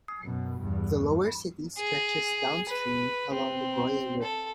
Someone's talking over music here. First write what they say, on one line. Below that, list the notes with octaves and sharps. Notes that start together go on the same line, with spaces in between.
The lower city stretches downstream along the Broye river.
F#2 B2
E2 G2
G#4
B4
C4
A4